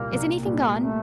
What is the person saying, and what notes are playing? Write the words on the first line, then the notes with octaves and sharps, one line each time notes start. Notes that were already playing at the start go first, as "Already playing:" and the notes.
"Is anything gone?"
Already playing: C2 A#2 G3 A#3
C2
A#2 G3
A3